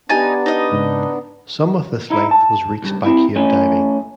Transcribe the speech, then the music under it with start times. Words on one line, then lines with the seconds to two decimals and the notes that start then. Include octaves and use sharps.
Some of this length was reached by cave diving.
0.09 B3 D4 D#4 G4 G#5 A#5 A6
0.46 D#4 D#5
0.72 G#2 C#3
2.10 D#4 E4
2.31 A5
2.82 C#2 G2
3.05 C4 E4
3.36 A3 C#4